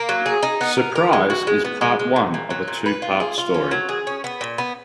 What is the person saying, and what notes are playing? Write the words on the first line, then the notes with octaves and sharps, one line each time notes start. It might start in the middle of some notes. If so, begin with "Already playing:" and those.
"Surprise" is part one of a two part story.
Already playing: A#3
F#3
G#4
D#4
B3
A#4
A#4
G#3
F#4
G#3
B3
G#3
G#3
A#2
A#2
F#3
A#2
B4
F4
G#4
F4
C#4
F#3
G#4
C#4
B3
A#2
B3